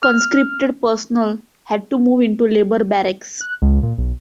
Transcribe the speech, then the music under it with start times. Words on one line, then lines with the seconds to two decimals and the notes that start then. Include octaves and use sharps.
Conscripted personnel had to move into labour barracks.
0.03 F6
3.41 F#6
3.62 C#2
3.83 A#2
3.98 B1